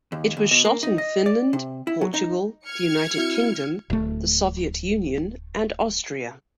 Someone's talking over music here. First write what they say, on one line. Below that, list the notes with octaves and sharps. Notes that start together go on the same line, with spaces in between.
It was shot in Finland, Portugal, the United Kingdom, the Soviet Union and Austria.
D#2
D#2
B2
A#3
D#4
D#5
D5
C3
E4
F#3
D#4
F6 G#6 C#7
C4 E4 F#4
D1 A3